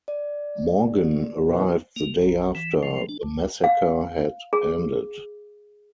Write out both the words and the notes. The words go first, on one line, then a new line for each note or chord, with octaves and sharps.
Morgen arrived the day after the massacre had ended.
D5
B2 E3
A#3
A#1
E3
F3
D4
D2
F5
G#4